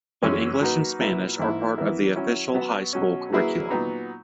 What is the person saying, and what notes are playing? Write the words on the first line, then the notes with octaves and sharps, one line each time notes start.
But English and Spanish are part of the official high school curriculum.
F#2 E3 G#3 C#4
F#3 A#3 D#4 F#4 B4
A#2 F#3 A#3 E4 B4
G#2 E3 A#3 E4
E3 B3 E4 A#4
F#3 C#4 E4
F#3 B3 F#4
B2 F#3 C#4
F#3 A#3 E4 G#4 B4
A#2 F#3 B3 D#4